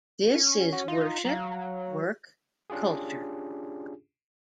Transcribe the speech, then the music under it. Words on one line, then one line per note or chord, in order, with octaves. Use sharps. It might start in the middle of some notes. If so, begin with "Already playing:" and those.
This is worship, work, culture.
C#4
F#4
D#4 F4
F#3 F5 A#5
C#4 D4 F4 G4 G#4